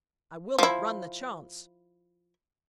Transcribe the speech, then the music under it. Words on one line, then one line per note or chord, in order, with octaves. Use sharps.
'I will not run the chance.
F3 E4